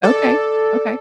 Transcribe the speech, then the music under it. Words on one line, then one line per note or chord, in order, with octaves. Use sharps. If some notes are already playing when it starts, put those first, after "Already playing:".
Okay, okay.
A4 D5